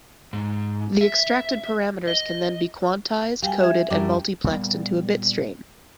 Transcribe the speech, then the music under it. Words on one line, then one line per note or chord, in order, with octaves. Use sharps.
The extracted parameters can then be quantized, coded and multiplexed into a bitstream.
G#2
E5
D#5
G3 F5 G5 G#5
E5 G#6
F#2 G3 D4 D6
A#2 G3 B3